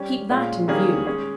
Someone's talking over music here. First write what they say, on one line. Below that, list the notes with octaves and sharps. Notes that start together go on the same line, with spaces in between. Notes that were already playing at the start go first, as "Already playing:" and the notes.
Keep that in view.
Already playing: G3 C#4 G4
A#2 G#3 C#4 F4
D#3 G3 A#3 C#4 G#4
G#3 C#4 G#4 C#5